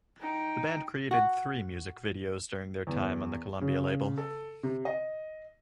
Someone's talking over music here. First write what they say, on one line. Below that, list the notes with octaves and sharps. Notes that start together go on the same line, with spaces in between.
The band created three music videos during their time on the Columbia label.
D#4 G5
F#4
E2
C#3
A4
C3
D#5